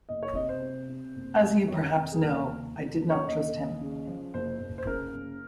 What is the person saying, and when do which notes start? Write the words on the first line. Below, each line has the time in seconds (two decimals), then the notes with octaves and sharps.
As you perhaps know I did not trust him.
0.09 F#1 D#5
0.23 C#5
0.35 C3 D#5
0.49 C5
0.62 C3
0.89 C3
1.15 F#1
1.41 F#1
1.68 F2 C#5
1.95 C3
2.12 G#4
2.21 D#2 A#4
2.48 D#2
2.75 D#2
3.01 C#3
3.10 C#5
3.28 D#2 D#5
3.54 D#2
3.81 C#3
4.07 F3
4.34 F#1 C5
4.60 F#1
4.78 C5
4.87 C#3 A#4
5.14 F#1